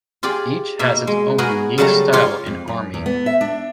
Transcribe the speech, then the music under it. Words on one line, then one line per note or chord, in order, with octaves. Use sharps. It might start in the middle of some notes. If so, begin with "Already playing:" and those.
Each has its own unique style and army.
F4 G4 G#4 D5
B2 A#3 E5
G#3
B3 F#4 G#4 A#4
C#3 F#3 G3 A3 A5 A#5
F4 G4 C#5
F2
F#2
E2
B3
E5
D4